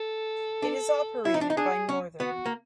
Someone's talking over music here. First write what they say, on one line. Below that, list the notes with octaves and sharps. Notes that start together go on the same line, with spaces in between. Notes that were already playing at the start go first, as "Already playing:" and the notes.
It is operated by Northern.
Already playing: A4
D4
E4
D#4
D4
D#4
D4 G#4
C#4
B3 F#4
A#3